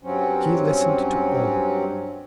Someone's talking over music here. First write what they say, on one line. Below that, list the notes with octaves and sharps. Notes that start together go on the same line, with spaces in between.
She listened to all.
G2 F#3 C4 C#4